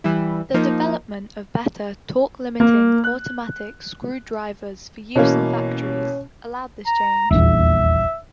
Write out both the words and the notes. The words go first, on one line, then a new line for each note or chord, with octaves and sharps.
The development of better torque-limiting automatic screwdrivers for use in factories allowed this change.
E3 G3 E4
F3 A#3 D#4
A#3
F#6
B2 E3 A#3 C#4
A#5
D#1 A#1 E2 E5